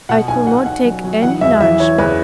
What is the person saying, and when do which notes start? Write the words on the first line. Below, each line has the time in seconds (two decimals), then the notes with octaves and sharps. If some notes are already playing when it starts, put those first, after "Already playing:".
I could not take any nourishment.
0.09 B2 F#5
0.28 B1 G#5
0.47 B2 F#5
0.66 B1 F#5
0.85 F#3
1.04 F#3
1.22 E3 F#5
1.41 E2 E5
1.60 E3 E5
1.79 E3 C#5
1.98 E2 B4